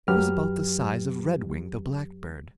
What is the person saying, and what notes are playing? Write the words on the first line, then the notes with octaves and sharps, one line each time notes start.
It was about the size of Redwing the Blackbird.
F#2 F#3 G4 B4 F6